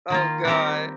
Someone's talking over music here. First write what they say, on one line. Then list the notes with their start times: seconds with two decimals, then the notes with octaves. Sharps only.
Oh, god.
0.10 D#3 A#3 F4
0.45 G3 C4 G4 A#4